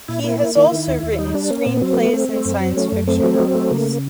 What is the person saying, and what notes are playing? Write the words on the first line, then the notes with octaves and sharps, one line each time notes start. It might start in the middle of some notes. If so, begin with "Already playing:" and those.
He has also written screenplays and science-fiction novels.
A#2 E4
A#3 E4
A#3
D#3 E4
D#3
D#2
D#2
E4
G3 D#4
G3 D4
A#3 C#4
A#2 C4
B3
F#3 C4
A#3
A3 B3
A3 C4
A3
F#2
F#3
A3 C#4
F#2
A3 C4
F#3
F#3
A3
C#3 A#3